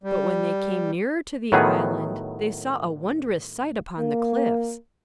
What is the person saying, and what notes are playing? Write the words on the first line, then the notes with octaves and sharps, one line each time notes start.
But when they came nearer to the island they saw a wondrous sight upon the cliffs.
G3
A2 D#3 F#3 B3 G#4
A#3